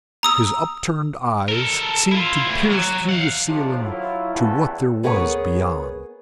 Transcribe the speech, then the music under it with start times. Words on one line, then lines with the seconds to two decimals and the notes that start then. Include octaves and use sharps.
His upturned eyes seemed to pierce through the ceiling to what there was beyond.
0.23 A#5 D#6 E6
1.48 A4 A#4
2.12 E4 F4
2.48 D2
2.71 F#3
3.09 F5 F#5
3.47 A#1 D#2 A2 C3 F3 D4
3.81 F#3 E4 F4
4.33 A1 E2 E3 G3 F#4 A4
5.03 B3 G#4 A#4 B4 C#5